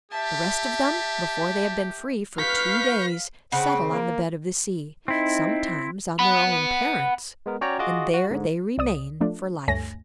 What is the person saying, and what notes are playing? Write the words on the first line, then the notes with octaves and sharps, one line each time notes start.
The rest of them, before they have been free for two days, settle on the bed of the sea--sometimes on their own parents; and there they remain for life.
G4 E5 A5
B4 F5 C#6 G6 B6
C#3 C4 F#5
A#3
C4 D#4 E4
F#5 B5
G#3 B3 A#4
C#4 F#4 C#5 D5 G5 A#5
F4 F#4 G#4 D#5 D6
F#4
G#2 D3
C2 D5 D#6
F3 A3 D4
D2 G2 A3 C#5 G#5 A#6